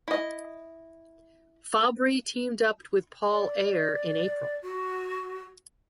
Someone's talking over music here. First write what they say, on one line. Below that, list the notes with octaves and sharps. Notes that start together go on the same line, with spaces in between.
Fabbri teamed up with Paul Ayer in April.
E4 D#5
D5
F#4